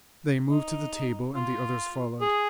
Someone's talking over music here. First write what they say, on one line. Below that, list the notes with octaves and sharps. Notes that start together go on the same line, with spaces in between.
They moved to the table and the others followed.
D#4
F4
G#4